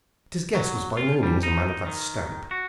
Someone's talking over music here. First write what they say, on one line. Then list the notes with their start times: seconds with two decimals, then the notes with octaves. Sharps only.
But his guest was by no means a man of that stamp.
0.55 F#3
0.97 F4
1.23 G3
1.43 D#4
1.87 D#3
2.51 F#4